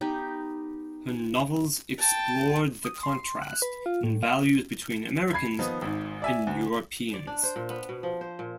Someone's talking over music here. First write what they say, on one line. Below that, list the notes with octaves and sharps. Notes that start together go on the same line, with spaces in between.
Her novels explored the contrast in values between Americans and Europeans.
B3 D#4 G4
G5 A5
D#6
C6
F#6
B4
F4
A2
F5
B5 G#6 C7
D#3 F3 B3 D#4
G#1 G#2
D5 E5 G#5
D2
D5
D4
C5
A#2
B3
B2
F3
C5
A#2